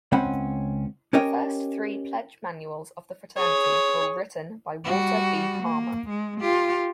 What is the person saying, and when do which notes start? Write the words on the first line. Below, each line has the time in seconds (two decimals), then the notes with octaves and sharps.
The first three pledge manuals of the fraternity were written by Walter B. Palmer.
0.12 C#2 C4 C#4 F#5 B5
1.13 C#4 G4 A#4 C#5 D#5 G5
3.37 G#4 C#5
4.84 G3 F#4
5.63 A#3
6.09 G#3
6.41 F4 G4